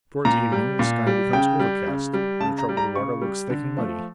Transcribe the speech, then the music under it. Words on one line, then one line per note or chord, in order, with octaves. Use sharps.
Towards evening the sky becomes overcast and the troubled water looks thick and muddy.
A#2 A#5
G3
A#2
G3
C#3 G5
G3
C#3
G3
C#3 A5
A#5
G3
A#5
C#3 C#6
G3
D3
F3 A3